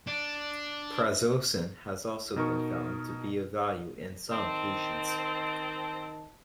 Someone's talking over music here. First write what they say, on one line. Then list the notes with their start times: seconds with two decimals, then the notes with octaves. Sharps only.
Prazosin has also been found to be of value in some patients.
0.08 D4
2.36 B2 D#4 A#4 C#6
4.31 D#3 C4 D#5 A5